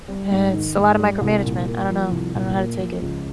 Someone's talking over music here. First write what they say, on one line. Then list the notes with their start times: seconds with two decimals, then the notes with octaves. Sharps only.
eh it's a lot of micromanagement, I don't know. I don't know how to take it.
0.08 G3
0.31 G#2
0.54 D#3
0.76 G#2
0.99 G3
1.21 C2
1.44 A#2
1.66 A#3
1.89 F3
2.11 C2
2.34 A#2
2.57 A#3
2.79 F3
3.01 C#2